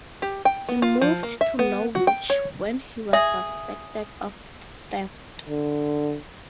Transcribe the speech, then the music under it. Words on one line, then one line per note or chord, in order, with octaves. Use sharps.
He moved to Norwich when he was suspected of theft.
G4
G5
B3
F4
F3
A#3
E5
B3
F#4
G5
C#5
G#4 E5
D3